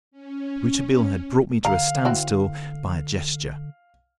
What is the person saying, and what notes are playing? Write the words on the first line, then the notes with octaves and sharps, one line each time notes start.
Rouletabille had brought me to a standstill by a gesture.
C#4
D3 F5 A#5
C4 E4 F#4